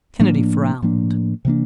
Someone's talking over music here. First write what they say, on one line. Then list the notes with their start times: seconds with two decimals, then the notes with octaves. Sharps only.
Kennedy frowned.
0.20 A2 F3 A#3 D4
0.82 A2 F3 A#3 D4
1.45 C3 E3 A#3 D4